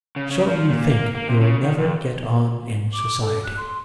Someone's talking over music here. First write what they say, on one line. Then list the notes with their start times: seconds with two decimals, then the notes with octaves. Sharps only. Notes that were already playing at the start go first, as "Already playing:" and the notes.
So you think you'll never get on in society.'
0.16 C#3
0.31 C#3
0.48 F3
0.69 A#2
0.91 A#3
1.15 A#3
1.28 C3
1.41 C#3
1.63 D#3
1.79 F2
2.93 D6
3.21 A4
3.44 F#6
3.57 C6